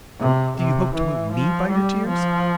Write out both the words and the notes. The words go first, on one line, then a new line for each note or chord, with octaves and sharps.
Do you hope to move me by your tears?
C3
C3
E3
F3
G3
F3